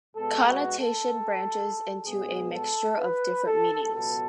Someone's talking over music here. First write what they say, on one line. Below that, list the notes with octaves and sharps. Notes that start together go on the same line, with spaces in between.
"Connotation" branches into a mixture of different meanings.
B2 G#3 B3 A4
F#4
A4
B2 G#3 B3 G#4
A4
B4
A4
C#2 B2 F#3 B3 A4